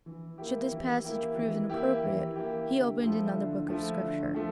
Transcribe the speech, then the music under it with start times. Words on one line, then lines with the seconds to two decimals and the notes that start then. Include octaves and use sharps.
Should this passage prove inappropriate, he opened another book of Scripture.
0.06 E3
0.38 A#3 E4 G4
0.72 E3
1.04 A#3 E4 G4
1.37 E3
1.70 A#3 E4 G4
2.03 E3
2.36 A#3 E4 G4
2.69 D3
3.03 F3 A3 E4
3.34 D3
3.68 F3 A3 E4
4.00 D3
4.34 F3 A3